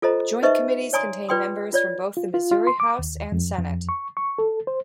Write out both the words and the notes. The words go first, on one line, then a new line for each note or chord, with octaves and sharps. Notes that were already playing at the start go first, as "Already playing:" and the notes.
Joint Committees contain members from both the Missouri House and Senate.
F4 A4 C5 D#5 A#5
D#4 B4 C5 D#5 E5 C#6
C#5 D5 G#5 A#5 C6 D#6
F4 B4 D5 G5 C6 D#6
F4 C#5 D5
F4
F4
F4
C6
D6
D#2
F2
F2
C#6
C#6
A4
C5